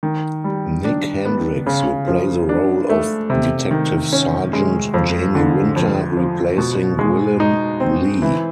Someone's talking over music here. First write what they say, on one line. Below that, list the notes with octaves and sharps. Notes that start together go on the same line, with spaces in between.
Nick Hendrix will play the role of Detective Sergeant Jamie Winter, replacing Gwilym Lee.
D#3
G3
D4
B3
C#3
F3
D4
A3
C3
D#3
C#4
G#3
F2
D3
F2
F3
B2
G#3
D#4
C4
E3